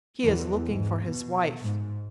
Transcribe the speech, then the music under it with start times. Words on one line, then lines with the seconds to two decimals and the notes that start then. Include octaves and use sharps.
He is looking for his wife.
0.23 E2
0.67 G#2
1.05 B2
1.62 G#2